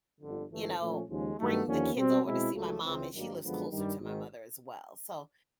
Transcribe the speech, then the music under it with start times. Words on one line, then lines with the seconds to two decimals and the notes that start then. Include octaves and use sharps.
you know, bring the kids over to see my mom and she lives closer to my mother as well. So
0.21 G1 F2 D3
0.50 G1 G2 E3 A3
0.79 A#2 F3 A3 C#4
1.08 D#2 C#3 F3 G#3
1.38 G2 D#3 F#3 A3
1.67 D#2 D3 F3 A#3 C#4
1.96 B2 G3 C4
2.25 B2 G#3 C4 E4
2.54 C#2 C#3 F#3 A3
2.83 C#2 C#3 E3 G#3 C4
3.12 G#1 G2 D#3 F#3 A#3
3.42 F#2 D3 F3 G#3 B3
3.71 G2 D#3 G3
3.99 G#1 G#2 D#3